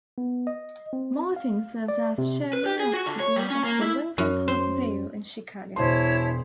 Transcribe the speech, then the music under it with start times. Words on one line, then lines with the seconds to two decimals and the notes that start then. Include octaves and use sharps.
Martin served as Chairman of the Board of the Lincoln Park Zoo in Chicago.
0.18 B3
0.47 D#5
0.93 C4
1.36 F5
1.88 D5
2.18 C3
2.53 B4
2.66 G4
2.80 G#4
2.94 F#4
3.06 D3
3.20 C#5
3.36 G3
3.50 C#4
3.65 A#3
3.81 E4
4.18 F#2
4.48 C5
5.76 E1 E4 C5 C#5 A5 C6